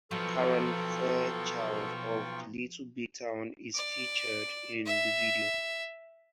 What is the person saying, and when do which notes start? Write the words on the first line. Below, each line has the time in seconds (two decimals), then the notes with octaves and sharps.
Karen Fairchild of Little Big Town is featured in the video.
0.11 F3 F#3 B3 F4 A4 G5 C#6
3.75 D5
4.86 E5